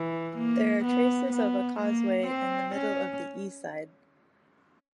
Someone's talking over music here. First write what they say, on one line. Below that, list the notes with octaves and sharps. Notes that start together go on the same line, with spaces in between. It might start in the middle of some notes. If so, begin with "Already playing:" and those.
There are traces of a causeway in the middle of the E side.
Already playing: E3
A#3
B3
B3
A#3
C4
C#4